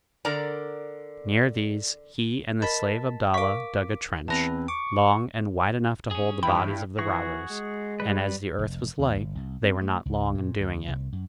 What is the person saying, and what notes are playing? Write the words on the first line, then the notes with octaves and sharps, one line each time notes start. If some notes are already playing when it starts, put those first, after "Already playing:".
Near these he and the slave Abdalla dug a trench, long and wide enough to hold the bodies of the robbers; and as the earth was light, they were not long in doing it.
D3 A#4 D5 A#5
A#4 D#5 A5 B5 B6
A#4 F5 C#6 D6 B6
E2 C4 B4 A5 A#6 F7
C#6 D6
C#4 G#4
G2 E3 E4 G5 B5
E3 F#4 G#4 C#6
G#3
G3 B4
F1
D#2
G1
C2
C4
A3
C#2
A#2
D2
C2
F#2